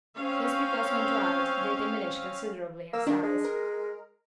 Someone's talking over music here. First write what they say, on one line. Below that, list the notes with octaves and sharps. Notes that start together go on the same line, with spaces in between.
This because when dried they diminish considerably in size.
C4 C#4 C#5 F5
A#3 E6
D#3 D4
G#3
A#4